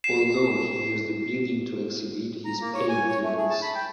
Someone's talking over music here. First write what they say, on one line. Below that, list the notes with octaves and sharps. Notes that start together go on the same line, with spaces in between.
Although he used the building to exhibit his paintings.
C7 E7
A#5
A#3
C#5
G#5
C#5
A3
G#4
A5
B5
G5